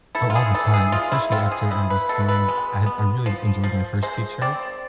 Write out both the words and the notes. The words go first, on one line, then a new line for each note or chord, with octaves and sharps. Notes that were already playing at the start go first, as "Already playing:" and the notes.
Oh, all the time, especially after I was going I had I really enjoyed my first teacher,
E4 A4
F4
G#4
E3 A4
G#4
G#3 F4
E4
C4 F4
G#4
E4
B4
B2 A4
B4
G#3
B3
F3
F3
G#3 C5
C4 D5